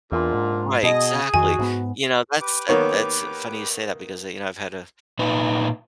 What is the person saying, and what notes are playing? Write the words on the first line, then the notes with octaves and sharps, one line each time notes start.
Right, exactly. You know, that's that that's funny you say that, because, a you know, I've had a,
E2 A#2 D4 F4
G#2
B2 G#4 D#5
F2 D#3 F#4 G#5
G#2 A#3 B3
G4 B4 D6
D#3 A#3 B3 C#5
A#2 D#4 B4